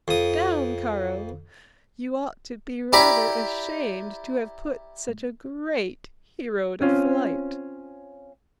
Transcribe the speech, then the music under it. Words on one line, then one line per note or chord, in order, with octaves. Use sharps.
'Down, Caro! you ought to be rather ashamed to have put such a great hero to flight!'
F2 D#6
E4 G4 D5 A#5 B5 D6
C4 C#4 F4